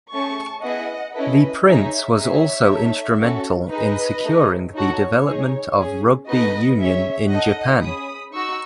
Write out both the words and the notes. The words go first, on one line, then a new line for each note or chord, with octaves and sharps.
The prince was also instrumental in securing the development of rugby union in Japan.
A3 C#4 G#4 A5 C#6
B3 E4 G#4 D#5 F#5
C#4 E4 A4 B4 D#5
D#4 G#4 C#5 E5
D#4 G#4 C#5 E5
D#4 A4
C#4 F#4 A4
D#4 G#4 B4 D#5
A3 D#4 G#4
D#4 F#4 A4 C#5
D#4 G#4
C#4 G#4
B3 D#4 F#4 A4 B4 D#5
C#4 G#4 C#5 E5
D#4 A4 D#5 F#5
C#4 G#4 B5 D#6
D#4 F#4 C#6 E6